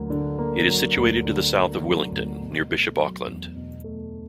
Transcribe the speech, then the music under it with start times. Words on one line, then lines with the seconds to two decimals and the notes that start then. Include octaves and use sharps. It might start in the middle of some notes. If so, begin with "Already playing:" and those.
It is situated to the south of Willington, near Bishop Auckland.
Already playing: D2 F#3 A#3
0.10 D3
0.39 A#3
0.68 F#3
0.97 D2
1.25 D3
1.54 A#3
1.83 F#3
2.12 D2
2.40 B2
2.70 A3
2.98 F#3
3.26 E2
3.55 B2
3.84 A3